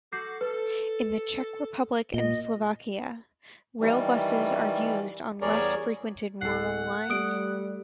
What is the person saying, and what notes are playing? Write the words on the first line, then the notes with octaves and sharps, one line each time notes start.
In the Czech Republic and Slovakia, railbuses are used on less frequented rural lines.
F#4 A4 D6 G6 C7
A4 B4
A#2 D#5 G7
D#3 E3 G3
E2 G3 G#4 A#4 C#5 D5
D1 A4 F#5 C7
G3 A3 D#6 D7